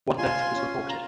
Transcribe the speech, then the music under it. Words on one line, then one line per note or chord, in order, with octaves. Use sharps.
One death was reported.
F4 G#5 C6
C#4
A#5